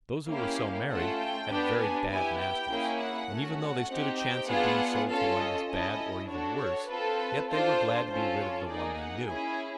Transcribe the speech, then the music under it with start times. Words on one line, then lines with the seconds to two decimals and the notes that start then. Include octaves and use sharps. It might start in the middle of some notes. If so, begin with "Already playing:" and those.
Those who were so merry had very bad masters, and even though they stood a chance of being sold to one as bad or even worse, yet they were glad to be rid of the one they knew.
0.28 A#3 C#4 E4 G4 F5
0.89 A3 C#4 F4 A4 F#5
1.19 G5
1.48 B3 D4 G4
1.79 G#5
2.09 B3 E4 G4 G#5
2.38 G5
2.68 A#3 C#4 E4 G#4
2.98 F#5
3.28 A3 C#4 F#4
3.58 F#5
3.89 C4 D#4 G4
4.19 G5
4.48 B3 D4 F4 G#4 F#5
5.08 C#4 F4 A4 F5
5.38 D#5
5.68 C#4 E4 A4 D#5
6.28 D4 F#4 A4 C#5
6.58 C#5
6.88 C4 F4 A4 B4
7.18 B4
7.48 D4 F4 A4 C5
8.08 C#4 F4 A4 C5
8.38 C#5
8.68 A#3 D#4 G#4 D5
8.98 F#5
9.28 C#4 E4 G#4 G#5